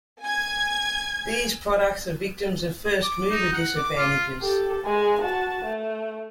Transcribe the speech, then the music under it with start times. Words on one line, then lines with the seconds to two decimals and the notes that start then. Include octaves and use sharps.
These products are victims of first-mover disadvantages.
0.21 G#5 G#6
3.03 D6
3.31 D#4
3.53 F#5
3.77 D6
3.97 F4
4.41 G4 A4
4.84 G#3 G#5
5.21 F#4 A5
5.64 A3